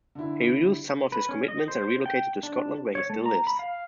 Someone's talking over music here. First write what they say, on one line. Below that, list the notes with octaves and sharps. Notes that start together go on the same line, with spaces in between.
He reduced some of his commitments and relocated to Scotland where he still lives.
D3 E4
B4
C#4
D#5
C5
G5
D4
C#5
A3
A#5
B5
F5